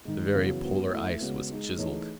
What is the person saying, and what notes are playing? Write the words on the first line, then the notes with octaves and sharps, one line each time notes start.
The very Polar ice was chiseled.
G#2 D#3 G#3
F#2 C#3 E3 B3 F#4
G#2 F#3 B3 F#4
A3 E4 A4 E5
C#3 G#3 B3 F#4
G#3 D#4 G#4
E3 A3 D#4 G#4 C#5